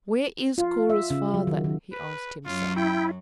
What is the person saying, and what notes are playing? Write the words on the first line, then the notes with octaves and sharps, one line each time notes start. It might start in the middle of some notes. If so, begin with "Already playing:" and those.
"Where is Cora's father?" he asked himself.
F4
E5
C#3
F#3
D#3
D#3
B4
F#2 F#3 F4
E4 G5